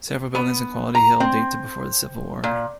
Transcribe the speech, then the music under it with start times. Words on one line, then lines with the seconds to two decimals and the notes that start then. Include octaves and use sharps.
Several buildings on Quality Hill date to before the Civil War.
0.35 B3
0.95 A#5
1.20 C4
2.44 A#2